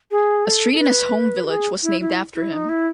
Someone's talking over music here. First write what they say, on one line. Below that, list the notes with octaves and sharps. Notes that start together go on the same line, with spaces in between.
A street in his home village was named after him.
G#4
A4
A4
B4
F#4
G#4
E4
E4
E4
D#4
E4